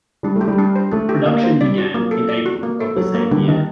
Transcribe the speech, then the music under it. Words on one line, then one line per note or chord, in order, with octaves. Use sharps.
Production began in April of the same year.
G3 D4
A3
G4
G3
D4
C5
A3 D4
G4
A#3 D4
C5
G3 D5
F#4
F#3 A#3
A4
D5
F#4
A#3
A4
F#3 A4
A#3
D3 G3
D#3 D4